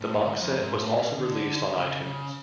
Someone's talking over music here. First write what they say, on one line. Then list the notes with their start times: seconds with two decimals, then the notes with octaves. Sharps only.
The boxset was also released on iTunes.
0.01 A2
0.20 G#2
0.39 F2
0.59 G#2
0.79 A2
0.99 B2
1.18 D3
1.77 C#3
2.07 C#3